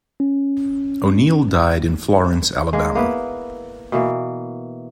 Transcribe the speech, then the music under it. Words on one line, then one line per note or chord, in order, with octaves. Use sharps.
O'Neal died in Florence, Alabama.
C#4
G#3 A#3
A#3 B3 E4 B4
B2 E3 A#3